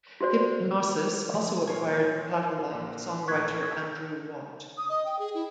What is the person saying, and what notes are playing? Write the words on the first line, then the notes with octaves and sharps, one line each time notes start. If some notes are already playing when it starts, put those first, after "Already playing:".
Hipgnosis also acquired the catalogue of songwriter Andrew Watt.
F4 F#4 C5 D5
F3
A#2 A#3 F4 C#5 G#5
C5
A#1 A#3
A1 A#2 C#6 F#6 G#6 B6
D#6
D#5
G5
G#4
E4